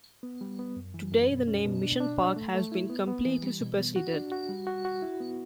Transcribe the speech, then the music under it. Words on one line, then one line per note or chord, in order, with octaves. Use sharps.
Today, the name Mission Park has been completely superseded.
B3
G3
B3
F#2
E3
F#2
B2
C#4
B2
D4
D4
D4
A3
A3
E4
B3
B3
E3
G3
B2
B3
F#4
D4
F#4
G3
F#4
F#4
E4
B3